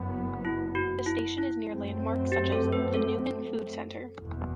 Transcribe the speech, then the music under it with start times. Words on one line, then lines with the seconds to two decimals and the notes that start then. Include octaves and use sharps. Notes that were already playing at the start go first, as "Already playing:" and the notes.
The station is near landmarks such as the Newton Food Centre.
Already playing: F#1 F#2 F#3 B3
0.45 E4
0.75 F#4
1.06 E4
1.38 E4
1.69 F#2 F#3 A3 C4
2.32 G4
2.52 A4
2.72 B4
2.94 A4
4.19 F#1 E2 B2